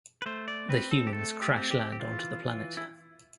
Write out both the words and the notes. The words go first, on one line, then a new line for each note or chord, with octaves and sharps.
The humans crash land onto the planet.
B4
A3 C5
D5
C4 B4
A4
G4
A3 A4
G4
C4
G4
G4
E3 F4
E3
E4